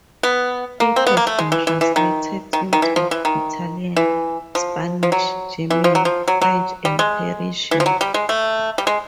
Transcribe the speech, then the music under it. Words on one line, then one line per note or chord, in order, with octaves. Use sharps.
It has been translated into Italian, Spanish, German, French, and Persian.
B3
A#3
C4
B3
A#3
A3
G#3
E3
E3
E3
D#3
D#3
D#3
E3
F3
E3
D#3
E3
F3
F3
F#3
E3
F3
F#3
F3
F#3
F#3
G3
G#3
E3
F3
F#3
G3
G#3
A3
G3
G#3